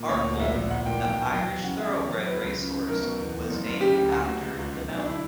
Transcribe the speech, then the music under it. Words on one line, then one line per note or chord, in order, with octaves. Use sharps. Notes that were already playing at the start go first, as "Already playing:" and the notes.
Arkle, the Irish thoroughbred racehorse was named after the mountain.
Already playing: A#2
D2 C#5
D2
A#1 E5
A#1
A#1 F#5
A#2 G5
B1 G5
B2
F#3 G5
E2
C#3 F#5
C#3 E5
E2 C#5
F#3
F#3 B4
C#2
C#3
C#3
B1 A#4
B2
E2
E2
F#1
F#1
C#3 G4
D2
D2 F#4
D2
C#2
C#2
B1
B1
D4
D3 E4